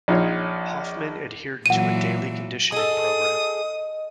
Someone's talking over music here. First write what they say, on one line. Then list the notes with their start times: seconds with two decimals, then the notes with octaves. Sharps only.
Hoffman adhered to a daily conditioning program.
0.08 A#1 D#4 F4 C#5
1.66 A#2 E3 F#3 F#5 D#7
2.72 G#4 A4 D#5 D#6